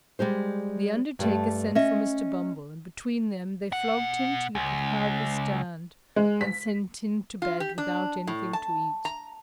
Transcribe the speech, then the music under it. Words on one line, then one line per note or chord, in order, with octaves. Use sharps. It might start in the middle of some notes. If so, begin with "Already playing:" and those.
The undertaker sent for Mr. Bumble, and between them they flogged him till he could hardly stand and sent him to bed without anything to eat.
G3 G#3 G4 C5
G2 G3 A3
C#4 D#5 E5
B2 F#5
C#2
G#3
B6
F4
G4
D4
A2
A5
A#5